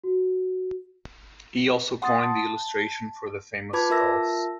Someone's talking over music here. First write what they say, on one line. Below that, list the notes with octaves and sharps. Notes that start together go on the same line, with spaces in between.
He also coined the illustration for the famous skulls.
F#4
F#5 C6 D#6 A6
A5
F4 B4 A5 B5 D6 G#6
F4 A#4 E5 A5 E6 A#6